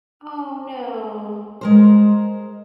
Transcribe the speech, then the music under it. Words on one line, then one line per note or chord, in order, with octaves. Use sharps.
Oh, no.
G#3 A#4 C5